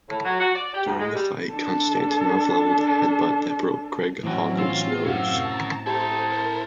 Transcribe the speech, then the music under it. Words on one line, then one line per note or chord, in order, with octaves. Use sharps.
During the fight Konstantinov leveled a head-butt that broke Greg Hawgood's nose.
A2
F#3
F#4
D5
G4
D2
G#3
G3
D4 A4
A2 E3 F#3 C4 C#4 F#4
F4 E6
F#2 C3 C#4 F5 F#5
A5 A#5
E4 G4 A4 C5 A5 A#5
A4 A#4 C5